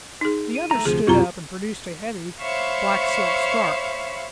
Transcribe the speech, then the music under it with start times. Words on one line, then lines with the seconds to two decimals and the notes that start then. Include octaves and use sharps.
The other stood up, and produced a heavy black silk scarf.
0.21 D#4 G#4
0.55 D#7
0.71 A3 A#5
0.85 D2 C3 F3 G#4
1.07 C2 F#2 B2 C4 E4 F4 G4 A#5
2.40 C5 C#5 E5 F5 B5 C#6